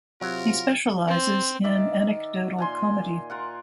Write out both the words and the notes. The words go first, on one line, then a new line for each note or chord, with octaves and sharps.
He specializes in anecdotal comedy.
C3 F#3 F4 A#4
C4
D#3 D5 E5
A#2 G#5 C6
F4 A#4 F#5